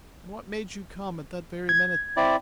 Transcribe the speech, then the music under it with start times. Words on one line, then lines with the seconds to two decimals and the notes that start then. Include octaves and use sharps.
And what made you come at that very minute?
1.69 G#6
2.17 C4 E4 D5